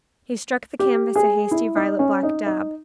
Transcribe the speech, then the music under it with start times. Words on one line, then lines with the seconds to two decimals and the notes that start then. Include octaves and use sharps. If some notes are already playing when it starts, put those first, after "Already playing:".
He struck the canvas a hasty violet-black dab.
0.79 G4
1.15 G#4
1.51 E4
1.75 D#4
1.99 C#4
2.23 D#4
2.46 D#4